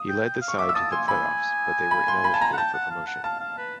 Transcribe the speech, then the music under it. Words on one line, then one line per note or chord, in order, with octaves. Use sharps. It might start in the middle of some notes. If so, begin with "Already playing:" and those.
He led the side to the playoffs, but they were ineligible for promotion.
Already playing: D#6
G5
G5
F5
C#6
E5 D6
E6
A5 D#6
G#5 C6
G#5 B5
B5
C6
B5
A5
A#5
F#5
G5 A5
F#5
F5
F#5
F5 A5
F5
B4